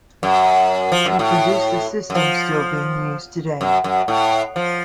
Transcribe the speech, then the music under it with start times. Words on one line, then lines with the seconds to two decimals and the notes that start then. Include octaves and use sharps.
He produced the system still being used today.
0.23 F#2
0.92 F3
1.05 F#2
1.19 A2
2.10 F#2
2.15 F3
3.61 F#2
3.84 F#2
4.08 A2
4.56 F3